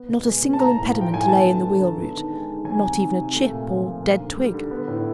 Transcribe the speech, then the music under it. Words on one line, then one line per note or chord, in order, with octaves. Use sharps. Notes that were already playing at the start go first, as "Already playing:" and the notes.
Not a single impediment lay in the wheel-route--not even a chip or dead twig.
Already playing: B3
B2
G#3
B2
A5
A#3 A#5
A2
F3
G5
A2 G#5
B3 A5
D3
F#3
D3
B3
D#3
G#3
D#3
F#3 G#5
C3
D#3
C3
A3
A#2
F3
A#2
A#3
D3
G3
D3
B3
A2